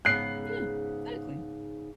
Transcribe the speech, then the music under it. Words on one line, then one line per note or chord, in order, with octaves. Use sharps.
Yeah, exactly.
G#2 C#3 B3 F#6 C7